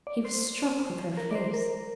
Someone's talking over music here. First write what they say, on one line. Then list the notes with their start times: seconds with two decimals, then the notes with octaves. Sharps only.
He was struck with her face.
0.07 D5
0.25 C5
1.17 A#4
1.31 D5
1.35 C5
1.54 A#4